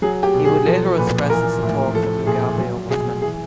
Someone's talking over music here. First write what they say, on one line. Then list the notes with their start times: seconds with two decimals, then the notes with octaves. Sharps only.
He would later express his support for Mugabe over Smith.
0.02 F#3 G#4
0.23 G4
0.34 B2
0.45 G#4
0.66 F3 A4
0.98 A#2 B4
1.30 E3 A#4
1.62 A2
1.94 F3 A4
2.26 A#2 G#4
2.58 F#3
2.90 B2 G#4
3.22 E3 G#4